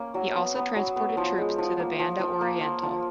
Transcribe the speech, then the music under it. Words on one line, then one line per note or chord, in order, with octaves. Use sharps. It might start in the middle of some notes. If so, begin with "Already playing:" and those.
He also transported troops to the Banda Oriental.
Already playing: A#3 C#4
F#3
B3
B3
F#3
B3
F3
G#3
F3
A#3
F3
F3
A#3
F3
F3